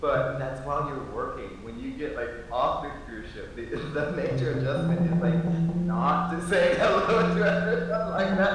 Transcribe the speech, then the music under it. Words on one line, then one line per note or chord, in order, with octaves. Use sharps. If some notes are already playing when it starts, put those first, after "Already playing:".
but that's while you're working. When you get, like, off the cruise ship the the major adjustment is, like, not just saying hello to everyone like that.
C#3
C3
C3
E3
F3
E3
F3
E3
F3
E3
F3
F3
G3
F#3